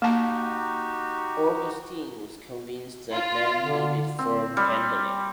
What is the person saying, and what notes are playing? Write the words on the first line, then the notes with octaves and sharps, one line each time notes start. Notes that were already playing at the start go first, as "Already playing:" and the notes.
Augustine was convinced that men needed firm handling.
A#3 D#4 F#4 G4 A5
F4
D3
C4
G3